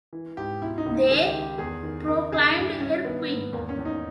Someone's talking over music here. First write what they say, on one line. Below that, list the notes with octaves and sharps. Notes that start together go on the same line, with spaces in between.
They proclaimed her queen.
E3
G#2 G4
B2 E4
D#4
C#2
D#4
D#3 G#4
G4
D#3
G4
E2 G#4
D#3
C#3 A#4
C#3 G#4
G2 E4
G2 C#4
D#3 B3
G#2
E2 A#3
C#4
E2
D#4